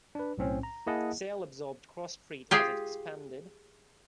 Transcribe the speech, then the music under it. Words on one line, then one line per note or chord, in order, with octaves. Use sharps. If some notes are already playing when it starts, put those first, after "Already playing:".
Sale absorbed Cross Street as it expanded.
D4 B4
B1 A2 C4 C#4
A#5
A#3 E4 G#4 D#5 F#5 A5
F4 G4 G#4